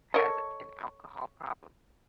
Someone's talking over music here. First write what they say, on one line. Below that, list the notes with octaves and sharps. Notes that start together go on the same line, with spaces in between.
has an alcohol problem,
A4 A#4 C#5 D#5